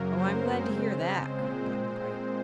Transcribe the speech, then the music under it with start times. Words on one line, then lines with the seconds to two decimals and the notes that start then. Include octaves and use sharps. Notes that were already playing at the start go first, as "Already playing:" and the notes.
"Oh, I'm glad to hear that!" cried Button-Bright.
Already playing: F#2 C#3 F#3 A#3 A#4
0.18 C5
0.58 C#3 G#3 C4 C5
1.38 A#2 G#3 C4